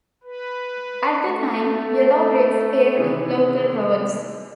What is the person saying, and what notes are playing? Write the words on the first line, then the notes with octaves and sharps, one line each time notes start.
At the time, yellow bricks paved local roads.
B4
A3
C3 D#3 E3 E4 G#4 B4